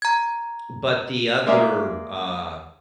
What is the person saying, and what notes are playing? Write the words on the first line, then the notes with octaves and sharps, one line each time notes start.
but the other, uh
A#5 G#6
G#3 A#3 D5 E5 A#5